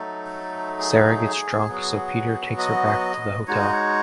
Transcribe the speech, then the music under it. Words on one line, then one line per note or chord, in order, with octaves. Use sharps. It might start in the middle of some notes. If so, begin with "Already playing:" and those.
Sarah gets drunk so Peter takes her back to the hotel.
Already playing: F#3 A3 D#4 A4
G#4
F#3 B3 F#4
D#5
G#3 D#4 F#4 C#5
D#5
C#5